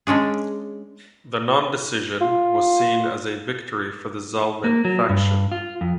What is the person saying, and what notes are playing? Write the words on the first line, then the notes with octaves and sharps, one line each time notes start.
The non-decision was seen as a victory for the Zalmen faction.
G#3 C#4 D4 G#4
F4
A#3
F#3
G2
F4
F2